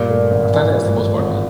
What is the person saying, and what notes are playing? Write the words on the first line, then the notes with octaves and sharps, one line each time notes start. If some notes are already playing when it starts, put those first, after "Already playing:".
I think that's the most part of it.
Already playing: G2 A#2
A3
G#1
E3
G2
A3
G#1